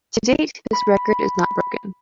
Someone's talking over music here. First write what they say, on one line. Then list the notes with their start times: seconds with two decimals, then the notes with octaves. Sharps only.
To date, this record is not broken.
0.73 B5